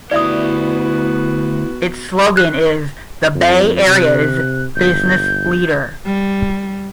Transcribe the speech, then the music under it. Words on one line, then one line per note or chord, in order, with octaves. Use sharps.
Its slogan is The Bay Area's Business Leader.
D2 B3 E4 F#4 G4 D5 E5 D#6
F#6
F2
C3 F#6
G1 G6
G3